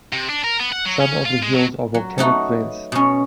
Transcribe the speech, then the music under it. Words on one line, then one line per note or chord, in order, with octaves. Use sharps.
Some of the hills are volcanic vents.
C3
D4
A#4
B3
F#5
F#3
C#4
F4
G#3
F#3
F#3
A3 D#4 F#4 B4
B2 C#4